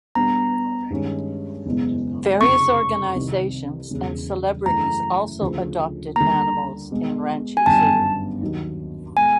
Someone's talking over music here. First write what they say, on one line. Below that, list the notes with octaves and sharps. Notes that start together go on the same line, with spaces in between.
Various organisations and celebrities also adopted animals in Ranchi Zoo.
B2 G3 B3 D4 A#5
G2 D#3 G#3 C#4
F#1 E2 B2 G#3
F1 F2 C#3 C#6
C2 C3 D#3
E1 E2 C#3
F#2 C#3 E3 A3 A#5
D2 C#3 F3
D3 G3 A#3 A#5
B2 G#3 B3
G#5
G1 F#2 D#3 G3 B3 A5
D#2 D#3 F#3
B2 G#3 G#5